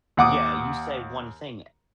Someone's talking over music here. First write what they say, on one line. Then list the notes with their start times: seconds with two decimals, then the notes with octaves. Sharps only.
yeah, you say one thing
0.17 D#2 F#5 D6 D#6